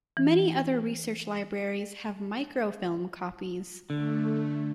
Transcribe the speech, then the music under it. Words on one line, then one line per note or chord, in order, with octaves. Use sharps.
Many other research libraries have microfilm copies.
E3
D3 A3